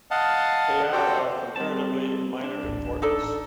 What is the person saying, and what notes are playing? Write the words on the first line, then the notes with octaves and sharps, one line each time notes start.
They are of comparatively minor importance.
D#5 F5 F#5 A5
F#4 G4 A4 C5 G5
G3 C4 A5
D4
D1 A1
D#4 A4 D5